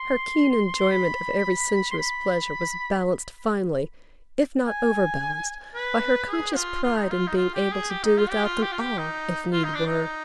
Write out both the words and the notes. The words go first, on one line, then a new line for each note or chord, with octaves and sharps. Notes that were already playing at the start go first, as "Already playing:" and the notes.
Her keen enjoyment of every sensuous pleasure, was balanced finely, if not overbalanced, by her conscious pride in being able to do without them all, if need were.
Already playing: C6
C6
B5
C6
B5
G#5
B4
G#4
F4
F4
D#4
F4
D#4
F4
G4
G#4
G4
D#4
F4
G4
F4
G4
F4
G4
D#4
F4
D#4
D4
D#4